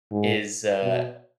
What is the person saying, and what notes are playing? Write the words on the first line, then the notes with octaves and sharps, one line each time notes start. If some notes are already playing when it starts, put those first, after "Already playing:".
is, uh
G#2
B2